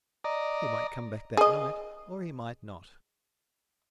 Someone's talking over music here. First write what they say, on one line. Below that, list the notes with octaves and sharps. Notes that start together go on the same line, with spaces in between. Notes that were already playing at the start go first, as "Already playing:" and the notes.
He might come back that night or he might not.
D5 D#5 A#5
G#4 D#5